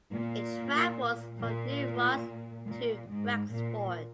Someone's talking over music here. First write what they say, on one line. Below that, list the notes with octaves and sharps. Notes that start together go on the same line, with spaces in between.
It travels from New Ross to Wexford.
A#2
A#2
A#2
G#2
A#2